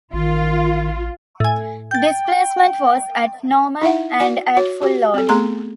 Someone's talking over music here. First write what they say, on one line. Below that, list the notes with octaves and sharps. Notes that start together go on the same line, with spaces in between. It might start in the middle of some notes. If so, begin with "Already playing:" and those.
Displacement was at normal and at full load.
A1 D#3 F4
A2 G#5
G5 G6 A6
D#4 E4 E5 F#5
F#4 D5 G#5
F#4 C#5
F#4 G4
C4 A4
A3 B3 G#4 A#5 C6